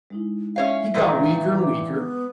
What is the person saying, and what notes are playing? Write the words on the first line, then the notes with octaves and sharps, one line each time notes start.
He got weaker and weaker.
G#3 D#4 E4
C#4 C#5 E5 F5
A#2 D#3 E3
D6
B3